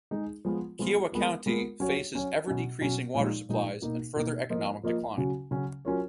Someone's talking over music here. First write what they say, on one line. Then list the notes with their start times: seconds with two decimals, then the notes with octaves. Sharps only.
Kiowa County faces ever-decreasing water supplies and further economic decline.
0.11 G#3 D#4 G#4
0.45 F3 G#3 B3 F4
0.79 F3 G#3 B3 F4
1.12 G#3 B3 F4 A#4
1.46 G#3 B3 F4 A#4
1.80 F#3 C#4 F#4 C#5
2.14 F#3 C#4 F#4 C#5
2.47 B2 F#3 C#4
2.81 B2 F#3 C#4
3.15 A#2 F3 G#3 D#4
3.49 A#2 F3 G#3 D#4
3.82 B2 A#3 D#4
4.16 B2 A#3 D#4
4.50 F3 A#3 F4 A#4 D#5
4.83 F3 A#3 F4 A#4 D#5
5.17 C#3 F#3 C#4 F#4
5.51 C#3 F#3 C#4 F#4
5.85 F#3 C#4 F4 A#4 C#5